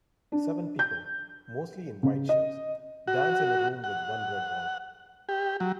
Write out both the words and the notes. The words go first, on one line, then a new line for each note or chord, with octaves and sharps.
Seven people, mostly in white shirts, dance in a room with one red wall.
D4
G6
C#3
D#5
F#4
F#5
G4
F#3